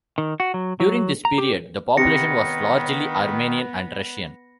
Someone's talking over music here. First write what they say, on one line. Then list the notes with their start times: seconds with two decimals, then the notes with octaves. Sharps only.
During this period, the population was largely Armenian and Russian.
0.18 D#3
0.40 F#4
0.54 F#3
0.80 F#3
1.25 A#5
1.38 G4
1.97 C3 D#3 B3 B5 A#6 C#7